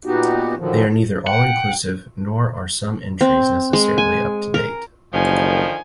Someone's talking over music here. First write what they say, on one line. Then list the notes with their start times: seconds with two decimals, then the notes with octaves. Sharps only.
They are neither all-inclusive nor are some entries necessarily up to date.
0.06 A#2 B3 D#4 F#4 G4
0.57 A#2 D3 D#3 F3 F#3
1.27 F#5 G5
3.21 C4
3.73 G#3
3.98 G#5
4.54 A#4
5.13 F#1 D3 D#3 F3 G#5